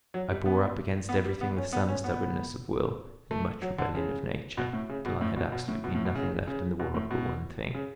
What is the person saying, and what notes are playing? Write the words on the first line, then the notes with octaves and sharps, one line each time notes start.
I bore up against everything with some stubbornness of will and much rebellion of nature, till I had absolutely nothing left in the world but one thing.
F#3
G3
B3
B3
G3
B3
C#4
B3
C#4
B3
A3
F#3
D3
C#3
B2
A2
C#3
B2
A2
B2
B2
A2
B2
A2
B2
C#3
C#3
B2
A2
B2
C#3